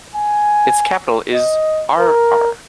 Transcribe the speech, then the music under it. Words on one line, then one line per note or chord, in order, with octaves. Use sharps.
Its capital is 'Ar'ar.
G#5
D#5
A#4